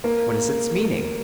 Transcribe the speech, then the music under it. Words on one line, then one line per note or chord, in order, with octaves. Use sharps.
What is its meaning?
A#3